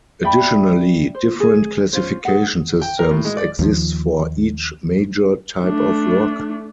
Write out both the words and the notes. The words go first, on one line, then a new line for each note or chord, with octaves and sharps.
Additionally, different classification systems exist for each major type of rock.
D5 E5 G5 B5
C5
G#4
C#4 F4 C5
G#4 F#5
G5
A#4
A2
G#3
D5
D#2 F3
A3 D4